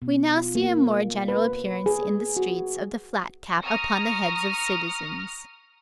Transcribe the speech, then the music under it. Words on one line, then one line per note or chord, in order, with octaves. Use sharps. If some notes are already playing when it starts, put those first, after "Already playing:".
We now see a more general appearance in the streets of the flat cap upon the heads of citizens.
B2
F4
A#3
B4
G#4
F#4
A#5 C#6 D#6 F6 A#6